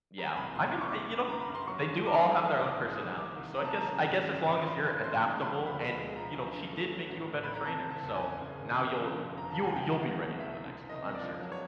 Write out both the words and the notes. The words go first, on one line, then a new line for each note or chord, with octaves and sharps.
Yeah, I mean, uh, y you know, they do all have their own personalities, so I guess I guess as long as you're adaptable, and you know, she did make you a better trainer, so now you'll you'll you'll be ready for the next one, I'm certain.
G3 A#5
C2 B5
A#2 C6
C2 D6
C#6
G3 D6
F#2
D3 A#5
B5
F#2
C6
F#3 C#6
D#2
D#3 D6
A3
E3 D#6
A#1 D6
D#6
G#2
D#6
G3
D#3 D6
C2
C3 A#5
A5
F#3 A#5
C#3
G#1
F#2
G#1
C6
F3 B5
D#2
C#3 C6
G#3
F3 B5
D2
B5
D3
B5
G#3
F3 A#5
F#2
D3
A3
F#3
A1
A2
A3 B5
A#5
C3 A5
F#1
A5
E2
G#5
F#1
C#3
G#1
F#2
F3
D3
F1 A#5
D#2 A5
G#5
F3 G5
G#3 F#5
C2
B2
E5
C2
D3
F#1
D#5
F2
D#5
D5
F3
F#3
C#5